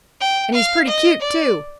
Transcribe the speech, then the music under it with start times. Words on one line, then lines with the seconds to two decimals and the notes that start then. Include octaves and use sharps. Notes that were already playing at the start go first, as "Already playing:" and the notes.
And he's pretty cute, too.
0.20 G5
0.54 F5
0.88 D#5
1.22 D5